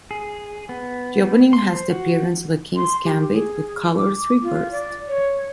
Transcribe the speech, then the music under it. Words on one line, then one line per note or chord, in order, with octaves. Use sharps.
The opening has the appearance of a King's Gambit with colours reversed.
G#4
B3
C6
C5
F#4
C6
G4
G#4
D6
F4
D5
C#5